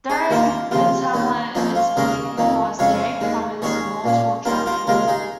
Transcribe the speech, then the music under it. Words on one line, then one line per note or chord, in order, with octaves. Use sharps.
Therein, Prince Hamlet is pleading for escape from his mortal trappings.
D#4 G#4
D#2 D#3 A#3 F4 A#4
D#2 C#3 F3 F4
D#2 D#3 C#4
F2 F3 A#3 C#4 D#4
F4
D#2 C#3 G#3 C#4 A#4 D#5
F2 D#3 A#3 C#4
F2 C#3 G#3 C#4 C#5 F5
D#2 D#3 G#3
D#2 D#3 G#3 C#4 G#4 C#5
A#2 A#3 C#4
D#2 D#3 C#4 F4 A#4
F4 A#4
D#2 C#3 G#3 F4 A#4
D#4 G#4